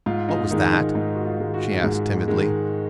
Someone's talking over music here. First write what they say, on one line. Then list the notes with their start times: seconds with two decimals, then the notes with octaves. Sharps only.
"What was that?" she asked timidly.
0.06 G#2 F4
0.29 D#4
0.43 F4
0.51 D#3 G#3 D#4
0.73 D#4
0.95 G#2 D#4
1.15 F#4
1.25 F4
1.40 D#3 G#3
1.54 F#4
1.83 G#2 G#4
2.28 D#3 G#3